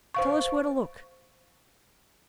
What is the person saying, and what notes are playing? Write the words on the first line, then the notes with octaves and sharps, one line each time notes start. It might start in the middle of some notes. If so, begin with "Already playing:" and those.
'Tell us where to look.'
C5 F5 C#6